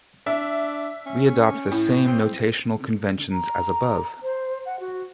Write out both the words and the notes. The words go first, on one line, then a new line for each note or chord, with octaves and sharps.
We adopt the same notational conventions as above.
D4 E5
C#4
A2
C4
A#5
C5
F#5
F#4